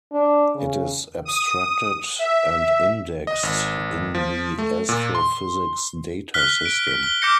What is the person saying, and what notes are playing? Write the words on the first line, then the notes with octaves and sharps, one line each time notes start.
It is abstracted and indexed in the Astrophysics Data System.
D4
C#3
D#6
E5
D#5
G#1
F3
A3
A#2
C6
F6 F#6 B6 G7
D7
B6
G7
D6 F6 G6 A#6 C#7